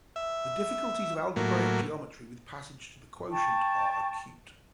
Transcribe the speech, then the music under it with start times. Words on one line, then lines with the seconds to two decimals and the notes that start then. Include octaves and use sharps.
The difficulties of algebraic geometry with passage to the quotient are acute.
0.16 E5
1.36 A2 F#3 A#3
3.31 G5 A5 C#6